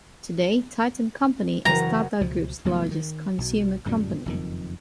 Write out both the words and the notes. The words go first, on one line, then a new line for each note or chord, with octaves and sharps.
Today, Titan Company is Tata Group's largest consumer company.
F#1 E3 F#4 A#5
C#2 B2 F3
F#1 B1 F#2 A3
D#3
B1 B2
D1 F#2 A#2 G3
F#1 F2 D#3